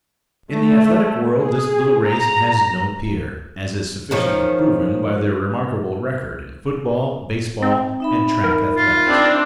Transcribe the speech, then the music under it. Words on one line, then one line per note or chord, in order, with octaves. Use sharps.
In the athletic world this little race has no peer, as is sufficiently proven by their remarkable record in football, baseball, and track athletics.
A3
G#4
A#5
D#3 F3 C#4
C4
D#4 E5 B5
A#4
F4
C4 D4